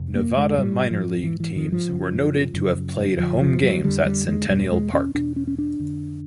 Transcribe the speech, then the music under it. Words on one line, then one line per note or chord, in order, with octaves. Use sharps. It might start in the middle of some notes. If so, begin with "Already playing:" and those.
Nevada minor league teams were noted to have played home games at Centennial Park.
Already playing: F2 C3
A#3
G#3
G#2 G3
F3
G#2 E3
E3
D#3
F3
F#2 C#3
F#2 C#3
F2 D3 F3
F3
F#3
F2 D3 G3
G3
G#3
E2 B2 G3
G#3
C#4
E2 B2 D4
C#4
C#4
D4
F2 D3